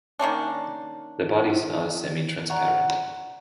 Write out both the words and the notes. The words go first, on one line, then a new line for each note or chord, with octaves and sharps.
Their bodies are semitransparent.
D#3 A#3 C#4 D4
D5 F#5 A#5 C#6